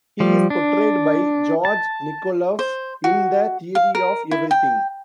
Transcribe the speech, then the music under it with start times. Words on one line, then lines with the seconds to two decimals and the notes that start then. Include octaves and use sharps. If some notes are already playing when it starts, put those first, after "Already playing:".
He is portrayed by Georg Nikoloff in "The Theory of Everything".
0.20 F3 G3
0.50 D4
1.65 A5
2.59 C5
3.04 F#4
3.75 F5
3.95 A#4
4.31 E4
4.51 G5